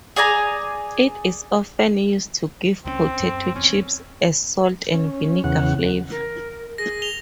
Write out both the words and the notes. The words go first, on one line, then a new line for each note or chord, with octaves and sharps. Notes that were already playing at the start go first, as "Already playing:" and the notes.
It is often used to give potato chips a salt and vinegar flavor.
G#4 D5 G#5 A#5
C#2 F#3 C4 C#4
F#2
F1 E2 C4 C#4
C#4
E2 C#3 F#5
A#4
G#4 A#6
F7 G7